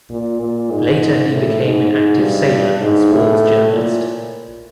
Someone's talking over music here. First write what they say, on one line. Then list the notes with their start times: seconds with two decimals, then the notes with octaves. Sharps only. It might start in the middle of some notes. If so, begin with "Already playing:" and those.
Later he became an active sailor and sports journalist.
0.10 A#2
0.41 A#2
0.71 G#2
1.31 A2
1.61 G#2
1.92 G#2
2.21 G2
2.81 G#2
3.12 A2
3.72 A#2